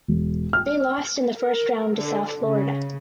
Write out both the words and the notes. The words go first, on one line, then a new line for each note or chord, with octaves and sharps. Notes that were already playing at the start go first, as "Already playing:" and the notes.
They lost in the first round to South Florida.
E1
F6
A#4
D3
C#3